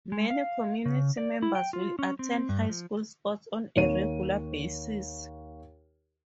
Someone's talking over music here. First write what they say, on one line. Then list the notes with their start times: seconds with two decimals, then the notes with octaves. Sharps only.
Many community members will attend high school sports on a regular basis.
0.12 G#3
0.30 F5
0.86 C#3
1.17 D5
1.42 E4
1.55 G5
1.73 F4
1.99 C#4
2.19 C4
2.49 G2
2.69 F3
3.76 D#2 C#5 D#7